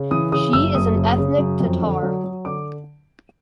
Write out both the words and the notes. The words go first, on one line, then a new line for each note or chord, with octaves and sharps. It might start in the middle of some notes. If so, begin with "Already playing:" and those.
She is an ethnic Tatar.
Already playing: C#3
E3 D#6
C#3 D#6
F#1 E6
F#1 D#6
C#3
C#3
F#2
F2
D3
F#3
F#3
D3 D6